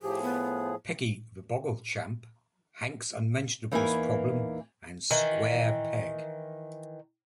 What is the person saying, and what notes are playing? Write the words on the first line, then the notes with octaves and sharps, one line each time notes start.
"Peggy the Boggle Champ", "Hank's Unmentionables Problem", and "Square Peg".
A2 F3 G4 G#4
B3
E2 E3 A#3 D#4 B4 G#5
D#3 E3